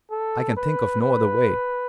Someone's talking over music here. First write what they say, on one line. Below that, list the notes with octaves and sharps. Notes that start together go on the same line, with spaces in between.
I can think of no other way.
A4
B4
B4